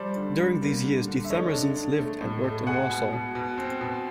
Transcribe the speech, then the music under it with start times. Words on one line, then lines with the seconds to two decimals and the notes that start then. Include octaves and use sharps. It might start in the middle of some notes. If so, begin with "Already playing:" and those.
During these years the Themersons lived and worked in Warsaw.
Already playing: F3 G3 C5 D5
0.16 D3
0.39 G3
0.62 A#3
0.84 D3
1.08 D3
1.24 E5
1.30 A3 C#5 D#5
1.53 D4
1.76 D4
1.99 A3
2.21 A2
2.44 A3
2.67 G#3 F#5 G#5
2.89 B2
3.12 B2
3.35 B2
3.58 C4
3.81 B2